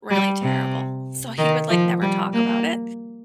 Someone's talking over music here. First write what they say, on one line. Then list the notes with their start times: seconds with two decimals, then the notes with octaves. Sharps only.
really terrible. So he would, like never talk about it,
0.10 G3
0.42 C3
1.38 D#3
1.70 F3
2.02 G3
2.33 A#3